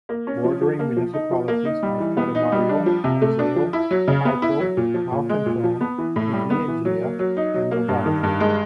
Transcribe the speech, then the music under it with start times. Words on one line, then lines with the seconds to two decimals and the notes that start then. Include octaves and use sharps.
Bordering municipalities are Cademario, Iseo, Alto Malcantone, Miglieglia and Novaggio.
0.09 A#3
0.27 C#4
0.44 F3
0.61 F3
0.79 A#3
0.97 F3
1.13 D#4
1.31 F3
1.48 A#3
1.65 D#4
1.83 G3
2.00 E3
2.17 B3
2.35 D#4
2.52 G3
2.69 D4
2.86 F3
3.04 C3
3.22 A3
3.39 D4
3.56 F3
3.73 E4
3.91 F#3
4.08 C#3
4.25 B3
4.42 E4
4.60 F#3
4.77 A#2
4.94 F3
5.12 A#2
5.29 G#3
5.46 A#2
5.64 F3
5.81 B3
5.98 E3
6.16 A2
6.33 G3
6.50 B3
6.68 E3
6.85 F#3
7.02 A#3
7.19 F#3
7.37 D#4
7.54 F#3
7.71 A#3
7.88 G2
8.06 D#3
8.23 G2
8.40 G#3